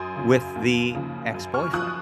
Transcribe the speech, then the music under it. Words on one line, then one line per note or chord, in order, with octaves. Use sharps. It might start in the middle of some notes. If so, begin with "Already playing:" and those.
with the ex-boyfriend.
Already playing: F#2 C6 D#6
C#3 F#3
D#2
C#3 F3
F#2
C#6 F6
F3 D#6 F#6